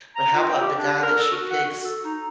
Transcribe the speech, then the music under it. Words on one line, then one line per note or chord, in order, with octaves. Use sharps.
But how about the guy that she picks
A#5
F4
G5
G4
D4
A#4
A4
F#4
F#5
F#4
A4
D#4